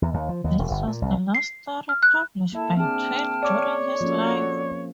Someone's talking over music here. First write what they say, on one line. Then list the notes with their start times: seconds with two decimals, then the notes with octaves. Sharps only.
This was the last story published by Twain during his life.
0.02 E2
0.14 D#2
0.29 F3
0.44 D#2
0.59 E1
0.71 G1
0.87 A#2
1.02 C2
1.35 C7
1.89 F6
2.03 F#6
2.53 A#3 E4 A4 E5 A5
2.77 C4 D4 G#4 G5 A5 F6
3.43 C#5 D5 D6
4.01 F3 A#3 C#4 F#4 A4